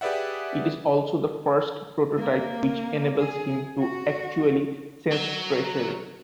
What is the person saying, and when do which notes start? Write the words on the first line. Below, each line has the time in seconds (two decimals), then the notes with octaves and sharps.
It is also the first prototype which enables him to actually sense pressure.
0.01 G4 G#4 B4 D5 E5 F#5
2.18 A#3
3.19 G#4
3.77 F#4
5.12 F#3